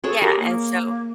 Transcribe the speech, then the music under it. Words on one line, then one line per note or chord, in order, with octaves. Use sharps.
Yeah, and so
G#4 A4 C#5
G4 A#4
A#3